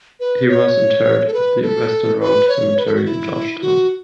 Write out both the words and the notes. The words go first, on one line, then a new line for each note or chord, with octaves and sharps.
He was interred at the Western Road Cemetery in George Town.
B4
C#5
A4
B4
A4
B4
C#5
B4
A4
F#4
E4
F#4